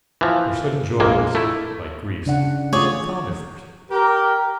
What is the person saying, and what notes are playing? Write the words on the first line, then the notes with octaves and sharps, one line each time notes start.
For sudden joys, like griefs, confound at first.
E3 F3
A#1 G#3 A#3
A3 E4
C#3 D4 F#5
A3 F4 G#4 C#5 D5
G4 A#4